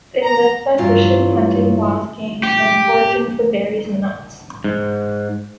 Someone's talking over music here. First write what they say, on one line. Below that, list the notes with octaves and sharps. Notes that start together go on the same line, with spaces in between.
They lived by fishing, hunting wild game and foraging for berries and nuts.
A#5
G2 E3 F#3 F4
G4
G#2